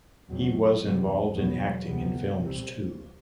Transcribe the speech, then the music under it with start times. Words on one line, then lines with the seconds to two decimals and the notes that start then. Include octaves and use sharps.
He was involved in acting in films too.
0.28 E2 B2 F#3 C4
0.81 E2 C3 F#3 C4
1.34 E2 B2 F#3 B3
1.87 D2 C3 G3 B3
2.40 C2 C3 G3 C4